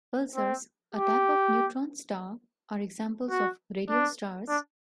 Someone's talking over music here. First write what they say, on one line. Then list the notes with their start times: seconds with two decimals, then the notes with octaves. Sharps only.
Pulsars, a type of neutron star, are examples of radio stars.
0.36 C4
0.95 G4
3.30 F#4
3.90 D4
4.48 D4